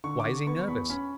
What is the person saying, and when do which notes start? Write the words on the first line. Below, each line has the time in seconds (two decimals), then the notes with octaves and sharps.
Why is he nervous?
0.04 D3 C#6
0.20 D6
0.25 D3 C#6
0.47 B3 C#6
0.61 C#6
0.68 E2 B5
0.90 C#4 B5